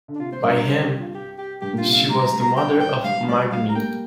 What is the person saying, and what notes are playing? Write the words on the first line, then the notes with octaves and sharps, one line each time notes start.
By him she was the mother of Magni.
D3
D4
C3 F4
C5
G2 A#4
A#4
C5
G4
F4
G4
G4
G2 G4
A#2
F4
C3
D3 F5
G3 A#5
A#5
G3
A#5
G5
G5
G3 F5
G3 D5
G3 F5
G3 A#5
A#3 G5